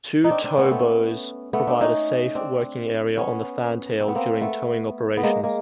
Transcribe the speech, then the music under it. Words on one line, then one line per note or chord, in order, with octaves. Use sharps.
Two tow bows provide a safe working area on the fantail during towing operations.
D#4
C4 D4
C4 D4
B3 C#4
C4
A3 B3
A3 B3
C4 D4
C#4 D#4
C4 D4
B3 C#4
C4
B3
A#3 C4
A3 B3
B3
G#3 A#3
G#3 A#3